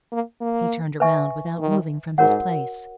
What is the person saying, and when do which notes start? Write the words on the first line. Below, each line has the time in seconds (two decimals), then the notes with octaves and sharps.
He turned around without moving from his place.
0.12 A#3
0.41 A#3
1.00 B4 E5 G#5 C#6
1.59 D#3
2.18 G#2 F#4 A#4 C#5 F#5